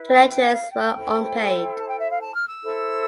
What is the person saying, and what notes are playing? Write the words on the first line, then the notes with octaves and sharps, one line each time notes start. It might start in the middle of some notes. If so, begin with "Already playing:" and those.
The lectures were unpaid.
Already playing: E4 B4
G5
G5
F5
G5
E4 A4 C5
A5
G5
E5
F5
A5
F6
E6
E4 A4 C5